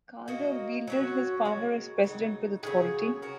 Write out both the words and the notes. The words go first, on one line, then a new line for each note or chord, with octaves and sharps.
Calder wielded his power as president with authority.
A#3 F#4 D#5
F#3 C#4 F#4
C#3 G#3 F#4 A#4
C#3 F#3 D#4
C#3 F#3 C#4 G#4
F#4 A#4